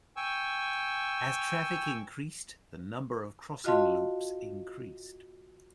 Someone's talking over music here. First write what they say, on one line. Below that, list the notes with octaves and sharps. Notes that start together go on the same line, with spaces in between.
As traffic increased the number of crossing loops increased.
G5 G#5 C#6 E6
F4 F#4 D#5 F5 A5 C6